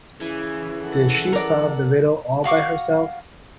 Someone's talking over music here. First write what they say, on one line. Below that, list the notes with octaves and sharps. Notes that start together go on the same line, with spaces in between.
Did she solve the riddle all by herself?
C#3 E3
A4 F#5
A#4 D5
F#4 F5 C#6 D6